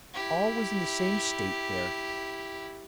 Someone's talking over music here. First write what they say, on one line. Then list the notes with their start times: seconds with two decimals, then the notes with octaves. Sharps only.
All was in the same state there.
0.14 E4 G4